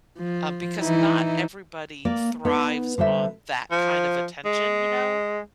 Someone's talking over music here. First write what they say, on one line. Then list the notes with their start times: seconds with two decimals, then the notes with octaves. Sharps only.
um, because not everybody thrives on that kind of attention, you know?
0.18 F3
0.79 E3 D#4 E4
2.05 A#3 D5
2.45 B3 D#4
2.98 D3 G3 C5 E5
3.71 F3
4.45 G#3